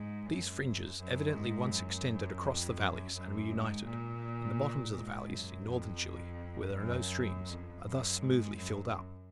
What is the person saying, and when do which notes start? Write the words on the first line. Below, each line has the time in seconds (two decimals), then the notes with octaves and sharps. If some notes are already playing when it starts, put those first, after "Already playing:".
These fringes evidently once extended across the valleys and were united; and the bottoms of the valleys in northern Chile, where there are no streams, are thus smoothly filled up.
Already playing: G#2
0.26 F#2
0.99 F#2
1.35 G#2
1.71 F#2
2.43 F2
2.79 F#2
3.15 F#2
3.52 G#2
3.87 A#2
4.96 G#2
5.33 F#2
5.68 F2
6.77 F#2
7.50 F2
7.86 F#2
8.21 G#2
8.57 F#2